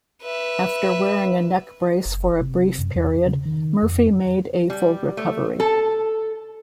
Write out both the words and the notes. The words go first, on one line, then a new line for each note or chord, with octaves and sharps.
After wearing a neck brace for a brief period, Murphy made a full recovery.
B4 E5
F#1
C3
F#2
E2
C#3
D#3
F2
G3
A3
A4